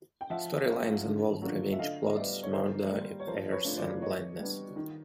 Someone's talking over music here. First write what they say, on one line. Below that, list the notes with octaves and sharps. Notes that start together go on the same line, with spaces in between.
Storylines involved revenge plots, murder, affairs, and blindness.
G5
F3 E5 F#5
A#3 C#4 F4
D3
F#3 A#3 D4 F4
E5
D3 D#5 F5
D#5
G3 B3 D5 E5
C#5
D#3 A#4 C5
G3 A#3
C#5
F3 A#4 C5
B4 C#5
A3 D4 F4
C5 D5
E3 C#5 D#5
G3 B3 D4
D#3